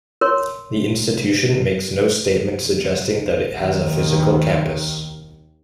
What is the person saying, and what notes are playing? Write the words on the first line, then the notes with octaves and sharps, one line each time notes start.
The institution makes no statement suggesting that it has a physical campus.
A#4 C#5 C6
D#2 D#3